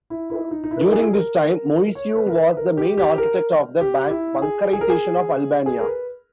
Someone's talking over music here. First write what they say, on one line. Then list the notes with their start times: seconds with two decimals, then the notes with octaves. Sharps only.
During this time Moisiu was the main architect of the bunkerisation of Albania.
0.10 E4
0.30 E4
0.51 D#4
0.64 D#4
0.71 E4
0.86 A#4
0.93 G#4
1.13 A#4
1.95 C#5
2.16 B4
2.29 A#4
2.36 B4
2.57 A#4
2.77 G4
2.98 G4
3.18 A#4
3.81 G4
4.10 E4
4.42 G#4
4.73 G#4
4.81 A#4
4.90 G#4
5.66 G#4
5.79 A#4
5.86 B4